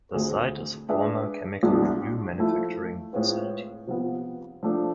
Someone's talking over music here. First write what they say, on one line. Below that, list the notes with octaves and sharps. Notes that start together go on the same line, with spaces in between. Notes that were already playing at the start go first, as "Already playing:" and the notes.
The site is a former chemical and glue manufacturing facility.
D2 D3 A3 C4 G#4
G#3 D4 G#4 B4 E5
C2 B2 G#3 D4
F3 A3 E4
A2 G#3 C4 F4 B4
C3 F3 B3
F3 A3 D4